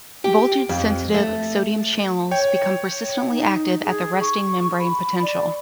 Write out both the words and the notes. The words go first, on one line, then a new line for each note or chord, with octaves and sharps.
Voltage-sensitive sodium channels become persistently active at the resting membrane potential.
G4
F2
A3
C#5 G5
D#4
G#4
C#6
B5
D5